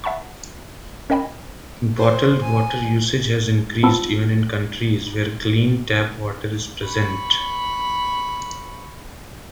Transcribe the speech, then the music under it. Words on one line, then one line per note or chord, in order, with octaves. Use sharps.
Bottled water usage has increased even in countries where clean tap water is present.
E5 F#5 A5 B5 C#6
C#4 A#4 D#5 G5 G#5 B5
C5
G#5
B3 C4 F4 A5 B5 E6
B5 C#6